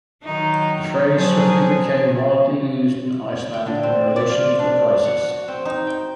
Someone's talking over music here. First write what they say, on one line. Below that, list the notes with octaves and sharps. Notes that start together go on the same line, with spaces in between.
The phrase swiftly became widely used in Iceland in relation to the crisis.
D#3 F#3 D#4
F3 F#3 G#4
G5
D3
C4
D5
F4
D4
F#5
F#4
C4
D#4
G5